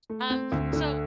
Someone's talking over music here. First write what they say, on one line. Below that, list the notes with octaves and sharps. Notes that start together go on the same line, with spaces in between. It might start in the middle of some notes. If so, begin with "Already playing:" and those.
um, so
A3
C4
D2
D3